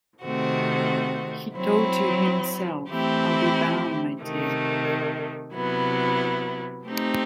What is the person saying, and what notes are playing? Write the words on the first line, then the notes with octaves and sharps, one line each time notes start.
He told you himself, I'll be bound, my dear?
C3 D#3 A3 C4 F#4
F#3 C4 E4
E3 A3 C4 E4 G4
C3 D#3 A3
C3 F#3 B3 E4
A3 C4 D#4 G4